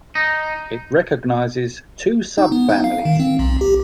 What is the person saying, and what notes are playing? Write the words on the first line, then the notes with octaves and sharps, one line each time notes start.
It recognizes two subfamilies.
D#4
D#4
B3
D#4
F5
D#3
C4
B1
G4